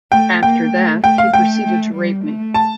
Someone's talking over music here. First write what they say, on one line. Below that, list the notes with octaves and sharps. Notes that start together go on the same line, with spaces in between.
After that, he proceeded to rape me.
A3 G5
A#3 G5
A3
A3 G5
F5
A3 G5
A3
G3
A3
A5